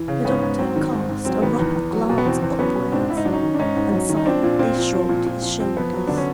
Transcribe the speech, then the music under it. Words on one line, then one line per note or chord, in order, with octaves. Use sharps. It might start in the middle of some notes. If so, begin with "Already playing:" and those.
The doctor cast a rapid glance upwards and silently shrugged his shoulders.
Already playing: E3
C#3
G#2 B3 C#4
G#2
F#3 C4
D#3
G#2
G#2
F#3 C4
D#3 B3
E2
E2
F#3
B2
B3
E2 C4
E2
F#3 B3 C#4
B2
G#2 C4 D4
G#2 E4
D#4
F#3 D4
C#4 D#4
D#3
D4
G#2 C#4 D#4
G#2
F#3
D#3
D#4
F3 C4 D4
A#2
A#2 C4
F3
F3
A#2
A#2
F3
F2 C4
F2 B3
F#3
D3 D4
C#4